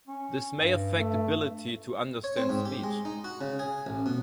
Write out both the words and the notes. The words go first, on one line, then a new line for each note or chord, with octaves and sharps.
This may affect ability to understand speech.
C#4
G2
A3
C#5
C4
G#2
G4
G#3
D#4
F#4
C#3
G#4
A1
B2